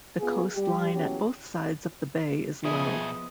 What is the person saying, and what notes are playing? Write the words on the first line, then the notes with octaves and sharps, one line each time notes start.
The coastline at both sides of the bay is low.
B3 F4 G#4
G3 G4
E2 C#3 F#3 C#4 G4
B2 F3 B3 F4 G#4 D#5 E5